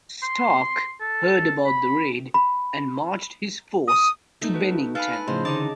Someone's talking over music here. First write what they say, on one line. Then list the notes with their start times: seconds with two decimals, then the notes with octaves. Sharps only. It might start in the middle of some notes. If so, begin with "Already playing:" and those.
Stark heard about the raid and marched his force to Bennington.
0.23 C6
1.00 A4
1.65 B5
2.34 B5
3.87 D#6
4.41 A3 D#4
4.54 F#4 B4
4.95 A4 B4 F5 G#5 B5
5.13 B5
5.28 A2 C#3 F3 C5 D#5
5.45 D3 E3 D#4 G#4 D#5 A5 D6